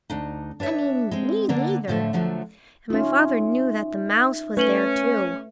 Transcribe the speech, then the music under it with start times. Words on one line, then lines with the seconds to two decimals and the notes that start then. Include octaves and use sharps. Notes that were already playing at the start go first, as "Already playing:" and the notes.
"I mean, me neither," and my father knew that the mouse was there, too.
0.10 D2 D4 D#4
0.60 D4 B4 C#5 E5
1.11 G#3 C4
1.49 D3 A#3 B3 D4
1.87 A2 D3 F3 G3 A3
2.13 D3 F3 F#3 A3
2.90 C#4 D#4 F4 E5
4.57 A3 C#4 B4 F#7 G7